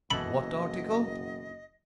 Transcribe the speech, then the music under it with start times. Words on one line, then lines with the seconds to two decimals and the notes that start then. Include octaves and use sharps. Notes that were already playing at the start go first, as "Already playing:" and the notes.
"What article?"
0.11 F#1 B2 E3 A4 D#5 B5